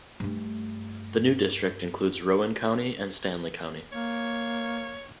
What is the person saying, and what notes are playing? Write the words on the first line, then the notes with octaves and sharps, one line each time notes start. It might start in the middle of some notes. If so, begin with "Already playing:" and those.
The new district includes Rowan County and Stanly County.
G2 A3
A#3 C#5